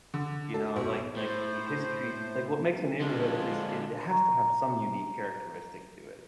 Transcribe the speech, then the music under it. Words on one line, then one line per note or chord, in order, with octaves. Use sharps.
You know? Like like, history like, what makes a neighborhood is it it has to have some unique characteristic to it.
D3
A4
B1
A2 C5
F2 D3 G#3 D4 F4
A#5 C#6